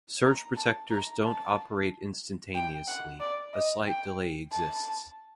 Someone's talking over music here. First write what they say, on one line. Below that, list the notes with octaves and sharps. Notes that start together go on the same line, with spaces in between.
Surge protectors don't operate instantaneously; a slight delay exists.
A#5
A5
A#5
A5
G5
F#5
D5
D#5
G5
A5